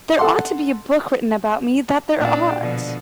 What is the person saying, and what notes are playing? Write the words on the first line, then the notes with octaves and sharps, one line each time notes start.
There ought to be a book written about me, that there ought!
A4 F#5 C6
A#2 D4
B2 D3 F3